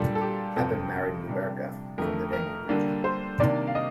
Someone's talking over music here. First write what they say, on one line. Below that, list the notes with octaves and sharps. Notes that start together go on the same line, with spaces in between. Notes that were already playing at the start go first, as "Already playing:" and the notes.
Pepin married Leutberga from the Danube region.
Already playing: A#2 G3 D4 A4
A4
G4
F2 C3 F3 C4 A4
C3 G3 D4
F2 D3 A3 A#4
A#4
D3 G3 A#3 D4
C5
C3 D#3 A#3 D4 D5
F5
D#5